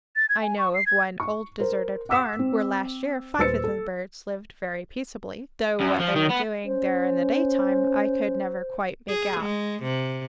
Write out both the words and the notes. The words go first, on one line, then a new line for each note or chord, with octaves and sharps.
I know of one old deserted barn where last year five of the birds lived very peaceably; though what they were doing there in the daytime I could never quite make out.
A6
G#6
G#5
C#6
C7
G#6
C#6
A#4 C5
F#5 D6 E6 B6 E7
C4
D#1 B4 C5 E6 A6 C#7
A4
F#2
F3
D#3
B3
C#4 C5
G#4
G#3
C3